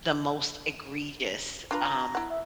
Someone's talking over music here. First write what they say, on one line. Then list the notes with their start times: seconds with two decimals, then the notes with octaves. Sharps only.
the most egregious, um,
1.71 D4 F4 B4 A#5
2.15 E4 F#5
2.30 E5